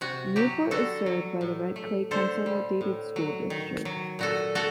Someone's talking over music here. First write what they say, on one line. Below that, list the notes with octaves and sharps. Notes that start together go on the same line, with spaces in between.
Newport is served by the Red Clay Consolidated School District.
C3 F#4
F#3 G4
D3 F#4 A4
F#3
A2
A3
D3 A4 C5
G3
A2
F#3
D#3
F#3
A#2 F#4 A4
A3 F#4 A4